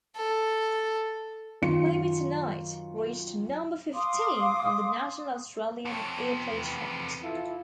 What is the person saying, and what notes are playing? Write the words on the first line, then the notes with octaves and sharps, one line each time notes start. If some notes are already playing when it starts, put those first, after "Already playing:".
"Maybe Tonight" reached number fifteen on the national Australian airplay chart.
A4
F#2 D#3 F4 C#7
F5 C6 D6 D#6
F2 C3 C#5 A5
B3
E2 B3
E4 F4 A4